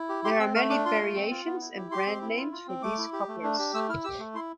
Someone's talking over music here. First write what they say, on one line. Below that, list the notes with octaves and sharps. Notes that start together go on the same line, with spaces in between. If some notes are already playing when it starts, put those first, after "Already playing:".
There are many variations and brand names for these couplers.
Already playing: E4
G4
G4 C6
C4 E6
A3 F6
D4 D6
F4 C6
A3
C4
F4
B3
E4
G4
G4 C6
C4
E4
F4
F4
C4
A3 D6
E4
G4
A3
D4
G4
A3 E6
E4 F6
G4 E6
A3
E4 C6